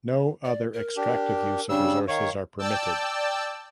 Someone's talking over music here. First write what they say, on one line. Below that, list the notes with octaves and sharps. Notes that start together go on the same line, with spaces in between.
No other extractive use of resources are permitted.
D5
A#4
D4 G4
C#3 G3 D4 E6
D#3 C#5 F5
D5 G5 A5 E6